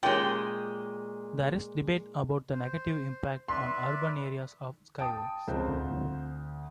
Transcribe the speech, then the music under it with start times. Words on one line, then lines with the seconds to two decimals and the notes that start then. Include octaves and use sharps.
There is debate about the negative impact on urban areas of skyways.
0.03 A#2 G#3 C#4 G4 G5
2.52 C5
3.48 B4 D5 E5 C6
4.99 G5 A5 D#6 D7
5.48 C#2 F3 C4 C5
5.68 D2